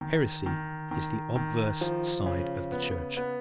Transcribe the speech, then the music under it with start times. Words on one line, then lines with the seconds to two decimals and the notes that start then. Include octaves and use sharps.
Heresy is the obverse side of the Church.
0.01 D#3
0.46 D#3
0.91 D#3
1.36 D#3
1.81 F3
2.26 C#3
2.72 B3
3.17 B3